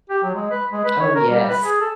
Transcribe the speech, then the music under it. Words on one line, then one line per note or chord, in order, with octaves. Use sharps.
Oh, yes.
G4
F#3
G#3
B4
G#3
B4
C#5
A#4
G3
B4
G#4
A4